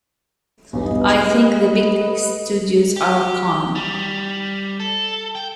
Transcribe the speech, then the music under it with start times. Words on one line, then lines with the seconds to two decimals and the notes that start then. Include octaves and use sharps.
I think the big studios are a con.
0.73 B1 E2 G2 G4 B4 D#5
1.16 F#6
2.07 A4
2.96 G4
3.75 G3
4.80 A4
5.35 G5